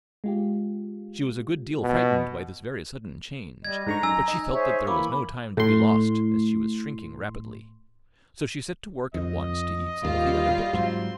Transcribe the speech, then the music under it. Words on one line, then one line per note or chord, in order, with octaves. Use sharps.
She was a good deal frightened by this very sudden change, but she felt that there was no time to be lost, as she was shrinking rapidly; so she set to work at once to eat some of the other bit.
G#3 F4 G4
B2
G3 D#5 G#6
G#2 D3 A#5 C#6
F#2 G#5 E6
D#4
G#4 C5 C#5 E5
E3 A#3 B5 D6
A2 C6
F2 D#5
D#2 G3 F4
G#2 F#3 C4 C6